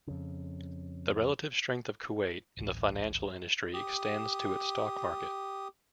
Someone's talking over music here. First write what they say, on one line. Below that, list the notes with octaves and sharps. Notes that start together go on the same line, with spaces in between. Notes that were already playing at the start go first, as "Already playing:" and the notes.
The relative strength of Kuwait in the financial industry extends to its stock market.
F2 C#3
D1 A1 E3
G4 D#6